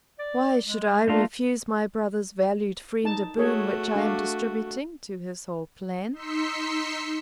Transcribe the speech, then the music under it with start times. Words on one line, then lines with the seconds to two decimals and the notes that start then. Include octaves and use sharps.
'Why should I refuse my brother's valued friend a boon which I am distributing to his whole clan?
0.19 D5
0.66 G#3
1.08 A3 A#3 D4 F4
3.04 D#4 A5
3.37 A3 F#4 G#4 C#5
3.95 D4 F5
6.12 D#4 C6 E6 B6 C#7